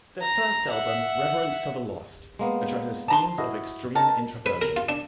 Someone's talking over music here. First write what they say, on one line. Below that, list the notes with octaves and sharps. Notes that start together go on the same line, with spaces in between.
Their first album, "Reverence for the Lost", addresses themes of extreme introversion.
A#5
E5 F#5
G#3 A#3 B3
A5 A#5 C6
E4 F#4 D#5
D#3 A#4 A5
B4
A#4
F4
D4